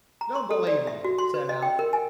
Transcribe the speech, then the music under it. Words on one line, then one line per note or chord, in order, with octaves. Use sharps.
"Don't believe 'em," said Alf.
A#5
C6
A4
D5
E5
F#4
C6
B4
D#5
G5
A#4
G#5